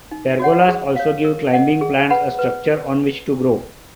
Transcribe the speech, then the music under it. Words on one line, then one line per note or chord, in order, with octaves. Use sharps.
Pergolas also give climbing plants a structure on which to grow.
D#4
F#4 C#5 F#5
G#4
C#5 F5
A#4
D#5 F#5
G#4
B4 F#5 B5
B4